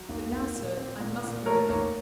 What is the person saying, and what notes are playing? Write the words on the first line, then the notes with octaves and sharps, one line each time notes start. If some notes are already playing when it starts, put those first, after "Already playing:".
But now, sir, I must be moving.
Already playing: F#3
D#2
D#2
A#2
C4
A#2
A#2
A3 A#4 C#5
D#2 A#4 C#5